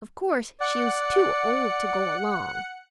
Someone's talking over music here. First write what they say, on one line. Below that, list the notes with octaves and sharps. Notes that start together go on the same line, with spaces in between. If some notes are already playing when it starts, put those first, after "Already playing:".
Of course, she was too old to go along.
D5 F#5 F#6 C#7